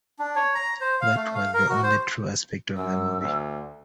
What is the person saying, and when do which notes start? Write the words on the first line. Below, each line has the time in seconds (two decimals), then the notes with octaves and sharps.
That was the only true aspect of the movie.
0.19 D4
0.36 C#5
0.55 A#5
0.81 C5
1.01 F5
1.16 A3
1.35 F5
1.54 A#4
1.69 F#4
1.83 C5
2.76 F#2 E6
3.21 D2